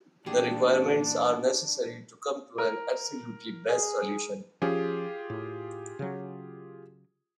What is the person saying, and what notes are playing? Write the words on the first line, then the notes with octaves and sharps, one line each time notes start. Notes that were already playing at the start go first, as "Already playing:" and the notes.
The requirements are necessary to come to an absolutely best solution.
A#2 E3 D4 G4 G#4
A#4
G#4
F3 C#4 F4 G4 G#4
A2
C#3 F#3